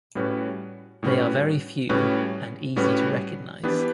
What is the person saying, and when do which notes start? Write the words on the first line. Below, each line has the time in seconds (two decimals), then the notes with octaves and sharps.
They are very few, and easy to recognize.
0.15 A2 G3 C#4 F#4 B4
1.03 A2 G3 C#4 F#4 B4
1.89 A2 G3 C#4 F#4 B4
2.76 A2 G3 C#4 F#4 B4
3.63 E3 B3 D4 G4 B4